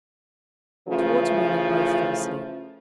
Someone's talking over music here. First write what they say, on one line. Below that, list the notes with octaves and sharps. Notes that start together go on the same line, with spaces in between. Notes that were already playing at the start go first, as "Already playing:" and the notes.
Towards morning both fell asleep.
C#3 E3 F3 A3